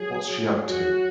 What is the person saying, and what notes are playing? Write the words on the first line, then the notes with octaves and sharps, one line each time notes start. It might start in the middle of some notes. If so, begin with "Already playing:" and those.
What's she up to?
Already playing: F#3 G#4
F#4